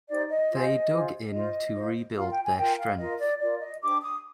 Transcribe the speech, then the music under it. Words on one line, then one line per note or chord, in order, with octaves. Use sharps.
They dug in to rebuild their strength.
D#4 G4 C5 D5
D#5
F4 G#4 C5
F4 G#4 C5
F4 C5 D#5
F4 C5
F4 A#4 F5
G5
G#5
F4 A#4 G5
F5
F4 A#4 D#5
D5
F4 A#4 D5
D#5
D4 G4 C5 D6
D#6